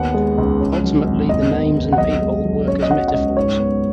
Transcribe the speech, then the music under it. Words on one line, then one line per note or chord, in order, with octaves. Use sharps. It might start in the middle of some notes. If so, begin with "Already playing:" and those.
Ultimately the names and people work as metaphors.
Already playing: D#2 B3 F#5
G#3
C#2
C#4
F#3
G#1
D#2 D#5
B3
D#2
F#5
B1 D#5
G#3
B1
C#4 C#5
D#5
F#3 F#5
F#5
C#2 D#5
G#2 C#5
B3